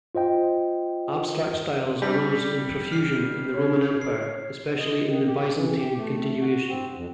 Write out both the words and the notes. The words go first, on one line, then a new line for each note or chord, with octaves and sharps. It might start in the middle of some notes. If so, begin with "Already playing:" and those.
Abstract styles arose in profusion in the Roman Empire, especially in the Byzantine continuation.
F4 C5 D#5 G5
G3 D4 A#6 B6
F6 C7
C#5
C7
D#5
D#3
G4
E3
G4
A3
F#4
C4
F2